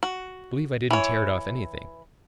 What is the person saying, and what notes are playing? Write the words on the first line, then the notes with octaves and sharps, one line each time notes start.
I believe I didn't tear it off anything.
F#4
E3 C#5